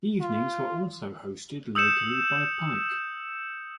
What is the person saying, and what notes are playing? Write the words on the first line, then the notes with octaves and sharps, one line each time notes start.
Evenings were also hosted locally by Pyke.
F4
D#6 E6 G6 C#7 E7